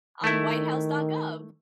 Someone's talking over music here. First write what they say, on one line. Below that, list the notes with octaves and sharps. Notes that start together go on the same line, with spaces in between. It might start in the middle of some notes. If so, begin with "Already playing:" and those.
On whitehouse.gov.
D#3 A3 E4